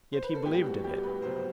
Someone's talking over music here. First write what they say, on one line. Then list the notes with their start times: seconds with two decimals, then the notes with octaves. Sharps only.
Yet he believed in it.
0.12 C5
0.24 B4
0.35 A4
0.46 A2 G3 B3 G4
0.65 F#4
0.84 A2 G3 B3 G4
1.03 B4
1.22 C3 F#3 B3 C5